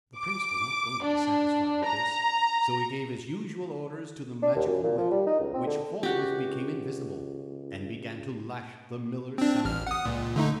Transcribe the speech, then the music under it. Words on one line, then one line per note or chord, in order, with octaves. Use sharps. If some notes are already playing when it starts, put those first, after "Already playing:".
The prince was not going to be satisfied with this; so he gave his usual orders to the Magical Whip, which forthwith became invisible, and began to lash the miller soundly.
D6
D4
A#5
D4
D#2
F#2
A#2
F3
G3
D#4
C#2
C4
D3
C#2 F#4 G4
C4 D4
A1 F6
F#5 D#6
C#2 A#2
D3 A3 D#4